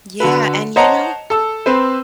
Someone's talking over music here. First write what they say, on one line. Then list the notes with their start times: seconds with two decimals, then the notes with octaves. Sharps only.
Yeah, and you know
0.20 D3 F#4 A4 B4
0.76 C5 C#5 D#5 F#5 A5 A#5
1.30 A4 E6
1.66 C4 B4 C5